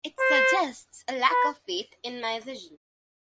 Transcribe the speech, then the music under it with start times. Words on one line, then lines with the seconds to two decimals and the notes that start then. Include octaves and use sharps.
It suggests a lack of faith in my vision.
0.20 C5
1.30 B4